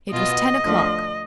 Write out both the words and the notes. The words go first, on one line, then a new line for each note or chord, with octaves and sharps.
It was ten o'clock.
B2 B3 F4 D#5
D2 D3 F3